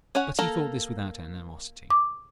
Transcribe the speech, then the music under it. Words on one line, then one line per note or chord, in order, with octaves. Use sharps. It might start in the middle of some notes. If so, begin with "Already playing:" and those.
But he thought this without animosity.
C#4 C#5 F#5
A#3 A4 A#4
D6